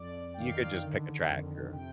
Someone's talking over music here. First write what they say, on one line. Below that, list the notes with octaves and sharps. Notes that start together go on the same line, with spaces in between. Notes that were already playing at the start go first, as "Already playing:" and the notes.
you could just pick a track or,
Already playing: F2 D5
G5
D#3 F5
D3
F2
C3 G5